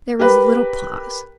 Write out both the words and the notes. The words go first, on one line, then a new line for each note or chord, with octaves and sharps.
There was a little pause.
G4 A#4 B4